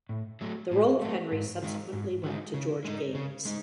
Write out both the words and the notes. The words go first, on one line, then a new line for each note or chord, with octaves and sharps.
The role of Henry subsequently went to George Gaynes.
A2
F#3 A3
A2
F#3 A3
G#2
D#3 G#3 D#4
G#2
D#3 G#3 D#4
C#3
G#3 D#4
C#3
G#3 D#4